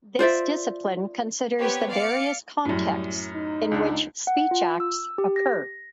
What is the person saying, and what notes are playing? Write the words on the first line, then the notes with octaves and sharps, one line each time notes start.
This discipline considers the various contexts in which speech acts occur.
F4 C5 D5 E5
B3 C4 G4 B4 C#5
D5 F5 D6 C#7
F#2 A2 G3
D#4
C#2 D4
F#5
F4
E6
G4
A#6